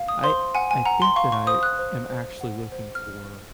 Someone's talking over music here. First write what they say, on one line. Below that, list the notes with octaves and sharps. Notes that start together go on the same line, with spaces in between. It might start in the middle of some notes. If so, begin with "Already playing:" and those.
I I think that I am actually looking for
Already playing: F5
D#6
C5 C6
F#5 G#5
G#5
F#5 A#5
C6
F5 C#6
C#6
C5 D#6
F#6
C5
C5
F#5
C5
F6